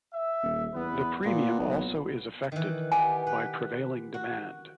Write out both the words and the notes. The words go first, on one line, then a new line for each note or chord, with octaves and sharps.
The premium also is affected by prevailing demand.
E5
D#1
E2 B3 B4
A#2 B3
B1
D#3 E3
B3 G4 A#4 G#5
B4
F#4